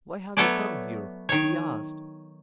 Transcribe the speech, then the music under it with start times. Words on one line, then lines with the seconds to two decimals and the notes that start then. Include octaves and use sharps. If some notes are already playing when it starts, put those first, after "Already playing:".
"Why have you come here?" he asked.
0.37 F#3 A3 B3 A4 C#5 D5
1.29 D#3 C#5